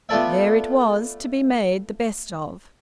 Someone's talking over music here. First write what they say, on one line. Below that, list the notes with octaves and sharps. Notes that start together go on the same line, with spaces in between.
There it was, to be made the best of!
A3 B3 F4 A4 D5 E5